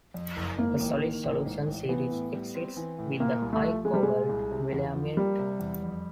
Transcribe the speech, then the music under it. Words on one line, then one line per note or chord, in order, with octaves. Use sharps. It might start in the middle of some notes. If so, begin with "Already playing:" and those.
A solid solution series exists with the high cobalt willyamite.
F2
F#1
G#2 A#3
A1
D#3
A1
G#2
A1
E3 B3
A2
G3
C4
E3
A2
A#2 A#3
C2
A3
F3
G#3 A3
G3
A#2 G#3
C2
C3
E2
F3
G3 A#3
C3
E2
F2